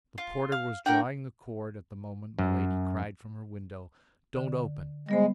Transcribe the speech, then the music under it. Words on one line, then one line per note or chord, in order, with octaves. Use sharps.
The porter was drawing the cord at the moment Milady cried from her window, "Don't open!"
F4
F5
D4 A#4 F#5 G5
F#2
D3
G3 G#3 B3 C5